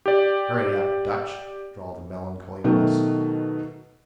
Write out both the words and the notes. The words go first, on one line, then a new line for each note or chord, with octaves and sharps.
"Hurry up, Dutch!" drawled a melancholy voice.
G4 D5
B2 D#3 F#3 A3